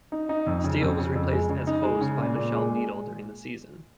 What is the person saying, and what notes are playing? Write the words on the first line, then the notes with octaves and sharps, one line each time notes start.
Steele was replaced as host by Michelle Beadle during the season.
D#4
D#4
F2
C#3
F2
C#3
F2
G#3
C#3
D#4
G#3
C#3
A#2
A#2
G#3
G#3